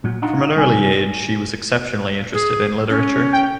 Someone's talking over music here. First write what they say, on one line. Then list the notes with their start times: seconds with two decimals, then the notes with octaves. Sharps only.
From an early age she was exceptionally interested in literature.
0.04 A#2 F#3
0.22 D4 D#4 F4 F#4 D#5 A#5
0.55 C2 D#3 G#5
2.34 G#4
2.90 C#4
3.33 G5